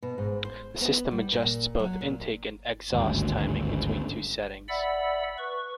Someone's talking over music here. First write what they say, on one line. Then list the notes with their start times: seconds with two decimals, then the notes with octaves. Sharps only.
The system adjusts both intake and exhaust timing between two settings.
0.03 B2
0.18 G#2
0.45 C5
0.81 B3
1.11 G3
1.33 A#2
1.79 F#3
2.01 A#2
2.93 G#1 D2 G2
4.68 D5 E5 F#5 B5 E6
5.38 B4 C#6